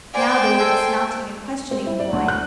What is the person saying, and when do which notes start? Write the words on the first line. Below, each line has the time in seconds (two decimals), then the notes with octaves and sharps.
Now they were dismounting and questioning the boy.
0.14 C5 D5 G5 G#5
0.59 A4 G#5
1.71 C4
1.86 E4
2.00 D5
2.13 D2
2.28 F#6